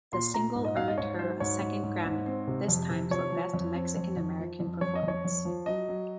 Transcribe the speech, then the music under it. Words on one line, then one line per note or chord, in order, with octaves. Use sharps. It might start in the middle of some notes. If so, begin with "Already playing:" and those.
The single earned her a second Grammy, this time for Best Mexican-American Performance.
A#2 C6
A#2 A#5
G#2
D#5
G#2 F5
D#5
G#2 C#5
F#3 C5
G#2 C#5
G#2
G#2
G#2
C4
C3
F2
C3
F3 C#5
F3
F2
C4
F2
F2
F3
F2
F2 C#5
D#5
F2 C#5
F2
F3
F#3 D#5
F#3